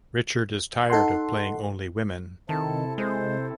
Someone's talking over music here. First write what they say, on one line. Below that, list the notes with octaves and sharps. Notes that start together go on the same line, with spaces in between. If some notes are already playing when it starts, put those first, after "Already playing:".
Richard is tired of playing only women.
D#4 A4 F#5 C6
C3 D#3 C4 E4 A4 A5
G#3 C5